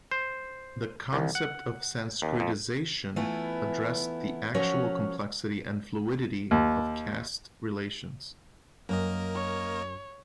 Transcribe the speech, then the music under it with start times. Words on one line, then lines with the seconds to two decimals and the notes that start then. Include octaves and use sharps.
The concept of sanskritisation addressed the actual complexity and fluidity of caste relations.
0.11 C5
1.13 C2
1.35 F#5
2.22 D#2
2.40 F2
3.16 E3 A3 B3 E4 F4
4.54 F3 F#3 C#4 F#4 A#4 C#5
6.51 D#2
8.89 F#2 A#3 A#4 D#5
9.35 C#5